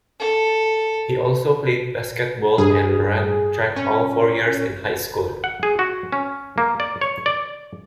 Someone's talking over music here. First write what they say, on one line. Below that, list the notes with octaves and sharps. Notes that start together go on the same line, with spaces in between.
He also played basketball and ran track all four years in high school.
A4
G2 G#4
C#4
F#5
G#4
F#4
C#4
A#3
D5
C#5
D5